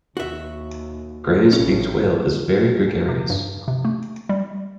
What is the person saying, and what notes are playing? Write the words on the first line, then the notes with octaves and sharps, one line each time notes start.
Gray's beaked whale is very gregarious.
D#2 F#4 E5
A1 A2 C#3 C#4
C3
G2
C3
A3
G3